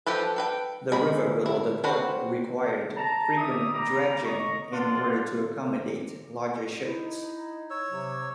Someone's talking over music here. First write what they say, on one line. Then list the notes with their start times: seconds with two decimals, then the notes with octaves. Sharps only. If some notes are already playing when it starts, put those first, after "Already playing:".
The river below the port required frequent dredging in order to accommodate larger ships.
0.06 F3 G4 A4 B4
0.36 A4 B4 G5
0.92 G#3 B5
1.46 E4
1.84 C4 F#4 B4 C5
2.96 A5 A#5
3.37 D5 E5 A#5 D#6
3.73 G3 A#5
4.24 D#5 A#5 C#6
4.73 F4 D5 F#5 A5 C6
6.81 D#4 E4
7.70 C#5 E6
7.90 C3 F#3